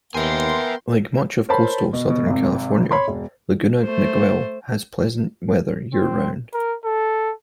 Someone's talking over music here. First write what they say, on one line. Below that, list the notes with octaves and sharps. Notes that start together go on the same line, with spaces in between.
Like much of coastal Southern California, Laguna Niguel has pleasant weather year-round.
D#2 B3 A#4 E5 G5 G#5 C6
A#4 C5 C#5 A5 B5
B2
B2
G#1 C3
C#5 B5 C6
E1
A3 C5
C4
A#4
A4